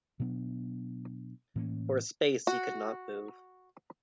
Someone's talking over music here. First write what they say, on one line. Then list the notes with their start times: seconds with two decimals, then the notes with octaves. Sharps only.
For a space he could not move.
0.20 B2 F#3 B3 D4
1.56 A2 E3 A#3 C#4
2.47 F#4